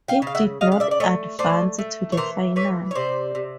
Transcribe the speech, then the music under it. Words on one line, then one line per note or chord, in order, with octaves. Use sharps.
He did not advance to the final.
F5 G5
C#3 F5
E5 F#5
C#3 D#5 F5
F5
D5 E5
D5
A3 C#5 D#5
A3 C5 D5
A3
C#5
E3 A#4 C5
E3 B4 C#5
C#5
C3 C5 D5
C3